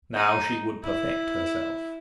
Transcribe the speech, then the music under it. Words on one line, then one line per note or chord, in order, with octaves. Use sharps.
Now she would perfect herself.
D#4
E4